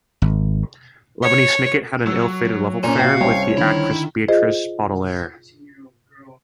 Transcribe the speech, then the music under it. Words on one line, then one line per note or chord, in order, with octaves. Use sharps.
Lemony Snicket had an ill-fated love affair with the actress Beatrice Baudelaire.
G#1
C#5
F#3 E6
A#2 C#4 C5 G#5
A#2 F#4 E5 F5 G5
C2 C#4 C#5 G5
D3 D#3 E4
F4 G#4 C5 D#5